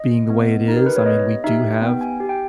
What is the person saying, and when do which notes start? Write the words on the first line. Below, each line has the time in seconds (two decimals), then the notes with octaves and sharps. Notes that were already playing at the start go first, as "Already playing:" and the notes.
being the way it is, I mean, we do have
Already playing: D#5
0.30 B3
0.68 D#4 G4
0.77 A#4
0.86 B4
0.96 C#5
1.06 B3 D#5
1.44 D#4 G4 E5
1.82 B3 G5
2.01 G#5
2.20 G4
2.29 G5